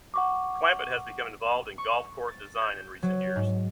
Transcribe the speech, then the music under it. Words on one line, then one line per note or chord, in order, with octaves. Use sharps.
Clampett has become involved in golf course design in recent years.
F#5 C#6 D6
C#6
A6
G6
F#3
G#2